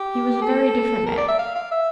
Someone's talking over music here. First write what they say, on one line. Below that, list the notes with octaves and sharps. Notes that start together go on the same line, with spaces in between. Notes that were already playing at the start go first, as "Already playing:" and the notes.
He was a very different man.
Already playing: G4
A4
A#4
D5
E5
F5
F5
E5